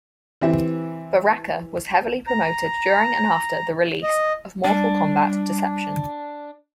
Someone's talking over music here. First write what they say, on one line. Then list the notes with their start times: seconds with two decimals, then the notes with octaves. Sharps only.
Baraka was heavily promoted during and after the release of Mortal Kombat: Deception.
0.41 E3 C4 G4 E5
2.27 A#5
4.03 D#5
4.64 G3 D4